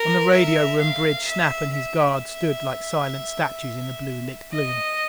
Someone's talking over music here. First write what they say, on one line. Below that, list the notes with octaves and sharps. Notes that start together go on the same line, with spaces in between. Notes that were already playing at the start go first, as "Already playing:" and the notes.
On the radio room bridge Snap and his guard stood like silent statues in the blue lit gloom.
Already playing: A#4
E5
F5
E5
E5
D#5